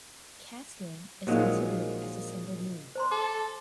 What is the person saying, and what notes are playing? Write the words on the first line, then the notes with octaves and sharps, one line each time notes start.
Castling is considered as a single move.
A#1 F#3 G#3 A#3 D#4 F4
C5 A#5 C6
A4 D6